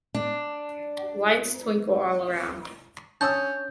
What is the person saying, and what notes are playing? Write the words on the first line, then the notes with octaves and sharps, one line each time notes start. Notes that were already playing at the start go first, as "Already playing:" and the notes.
Lights twinkle all around.
D4
C#4 D4 C#5 A5 D#6 E6 G6